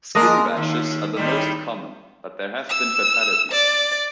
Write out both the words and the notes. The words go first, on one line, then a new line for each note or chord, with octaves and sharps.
Skin rashes are the most common, but there have been fatalities.
G#3 A#3 D4 A#4 D#5
D#2
A2 D#3 G3
E6
D5